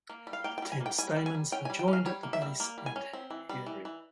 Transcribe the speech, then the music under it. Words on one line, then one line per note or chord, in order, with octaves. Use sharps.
The ten stamens are joined at the base and hairy.
A#3
G3
F5
A#3 G5
G5
G3
G#5
A#3
G5
G3 G#5
G3
G#5
G3
C#4 G5
G#5
G3
G5
C#4
F5
G3 C#5
A#3
E5
G3
A#3
G3
G#5
C#4
C4
E3
G3
E3
E3